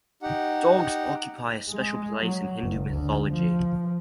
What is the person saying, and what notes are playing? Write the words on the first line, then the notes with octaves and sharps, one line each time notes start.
Dogs occupy a special place in Hindu mythology.
D#4 G4 F#5
G#3
F#3
F#1
D2
F3